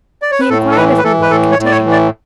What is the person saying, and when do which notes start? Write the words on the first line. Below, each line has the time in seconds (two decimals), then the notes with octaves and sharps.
He inquired of me what it contained.
0.22 D5
0.31 C#5
0.40 B4
0.50 A2 A4
0.71 A4
0.77 E3 B4
0.98 B4
1.04 E3 A4
1.22 B4
1.31 A2 A4
1.52 C#5
1.59 A2
1.66 D5
1.71 C#5
1.85 E3
1.91 D5